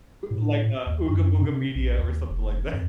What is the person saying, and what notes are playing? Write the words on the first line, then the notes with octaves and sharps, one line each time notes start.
Like, uh, Ooga Booga Media or something like that.
A2
D#2
F#2
C3
A#1
D#2
F1
F2